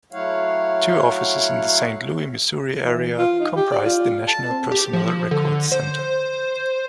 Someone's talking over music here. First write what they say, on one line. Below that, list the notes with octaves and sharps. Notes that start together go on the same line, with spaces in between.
Two offices in the Saint Louis, Missouri area comprise the National Personnel Records Center.
F#3 A3 E4 C#5 F5 F#5
E3
F4
D#4
G4
D5
F4
A5
C4
G4
F3
D3
C5